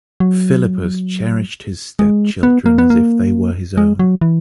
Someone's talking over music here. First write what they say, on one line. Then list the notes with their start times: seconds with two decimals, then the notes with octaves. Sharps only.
Philippus cherished his stepchildren as if they were his own.
0.20 F#3
1.99 G#3
2.43 B3
2.66 A#3
2.78 B3
2.90 A#3
3.77 G#3
3.99 F#3
4.21 E3